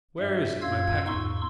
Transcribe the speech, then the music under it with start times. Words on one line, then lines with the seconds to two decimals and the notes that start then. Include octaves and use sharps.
"Where is it, my packet?"
0.19 G2 E5
0.62 F#2 A#2 F4 F5 E6 G#6
1.07 E2 G#2 D#4 C6 C#6 E6